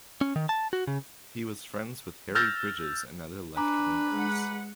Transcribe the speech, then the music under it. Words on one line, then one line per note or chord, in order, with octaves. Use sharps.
He was friends with Harry Bridges and other leftwingers.
C#4
D#3
A5
F#4
C#3
E6 F6 G6 A6 A#6
D4 B4 G#5 A#5 D6
G#3 F#5